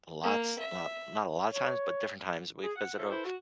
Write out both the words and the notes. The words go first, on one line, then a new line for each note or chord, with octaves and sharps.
lots not not a lot of times, but different times. We've visited a
A#3
E5
C#5
G#4
F#5
F4 A4 C5 C#5 E5 F5
E4 A4 B4 C5
F#4